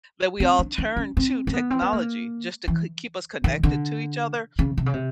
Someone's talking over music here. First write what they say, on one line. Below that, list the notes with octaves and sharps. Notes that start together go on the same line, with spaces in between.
that we all turned to technology just to k keep us connected to each other,
C4
D4
D4
C#4
C4
C4
B3
C4
B3
A#3
E3
D#3
D3
C#3
C3
C#3
C3